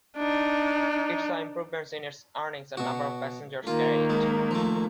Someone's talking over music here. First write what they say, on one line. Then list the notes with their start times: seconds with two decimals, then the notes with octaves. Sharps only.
It saw improvements in its earnings and number of passengers carried.
0.16 D4 D#4
2.77 B2 F#4
3.67 D#3 A#3 F4
4.10 G#3
4.51 F3 A3